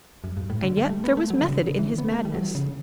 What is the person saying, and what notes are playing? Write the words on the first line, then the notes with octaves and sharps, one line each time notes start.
And yet there was method in his madness.
F#2
G2
A2
D3
G3
A3
B3
A3
F#3
D3
C#3
C#3
E3
D3
B3
A3
G3
F#3
E3
C#3
D3